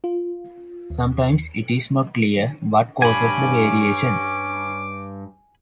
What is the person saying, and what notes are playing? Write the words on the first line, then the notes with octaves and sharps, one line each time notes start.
Sometimes, it is not clear what causes the variation.
F4
D#2
G2 C#4 G#5 B5 D6